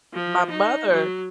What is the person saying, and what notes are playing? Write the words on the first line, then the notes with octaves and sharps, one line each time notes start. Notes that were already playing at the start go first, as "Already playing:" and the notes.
My mother,
F3
D#4
F#3